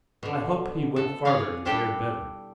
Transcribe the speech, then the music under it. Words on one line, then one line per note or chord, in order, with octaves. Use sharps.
I hope he went farther, and fared better.
B2 D3
A4
G#4 C#5 D5 F5
G3 D4 E4 G4 A4 G5